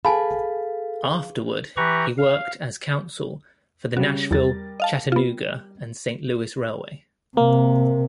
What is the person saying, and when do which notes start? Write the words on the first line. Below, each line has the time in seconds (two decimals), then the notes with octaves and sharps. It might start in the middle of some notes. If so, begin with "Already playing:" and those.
Afterward, he worked as counsel for the Nashville, Chattanooga and Saint Louis Railway.
0.05 G#4 A4 B4 F5 G#5 A5 B5
1.77 E3 G4 B4 A#5 C#6
2.18 F5
3.97 C#3 G3 F#4
4.31 E2 G3 A#4 A6
4.80 D#5 F5 A5
5.12 B3 F4
7.37 C3 A#3